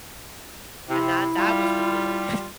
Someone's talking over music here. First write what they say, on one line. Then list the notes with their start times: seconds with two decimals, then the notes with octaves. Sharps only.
And that that was revealing.
0.89 C3 E4
1.38 G3 F4